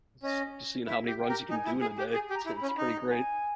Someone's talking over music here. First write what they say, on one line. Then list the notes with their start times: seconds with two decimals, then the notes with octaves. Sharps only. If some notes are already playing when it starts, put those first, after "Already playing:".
just just seeing how many runs you can do in a day. It's it's pretty great.
0.23 C#4 D#5
0.87 E4 E5
1.07 G4
1.18 G5
1.29 G4 A#4
1.50 D#4 G#5
1.66 E4
1.81 G#4
1.98 G4
2.13 G#4 G#5
2.30 G4
2.35 A#5
2.46 E4
2.56 B5
2.62 C#4
2.68 B5
2.78 D#4 A#5
3.09 G#5